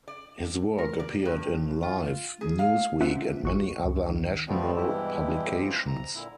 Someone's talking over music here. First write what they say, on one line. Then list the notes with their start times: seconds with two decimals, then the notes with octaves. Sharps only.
His work appeared in "Life", "Newsweek" and many other national publications.
0.08 D5
0.78 A#4
1.00 D5
1.25 G2
1.82 F4
2.41 G#4
2.59 F5
3.00 A#3 C#4 F4 C5 E5 F#5
3.43 A1 F#4 C#6
3.85 C#2
4.10 D#3
4.48 F3 G3 A3 B3 C4
4.76 G2 B2 E3 G#3 E4 G4
5.59 F3 G#3 C4
5.87 A#5
6.15 A#2 D3 E4